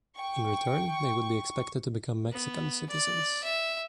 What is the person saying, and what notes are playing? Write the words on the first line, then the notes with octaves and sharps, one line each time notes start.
In return, they would be expected to become Mexican citizens.
G5 C#6
B3
D5
E5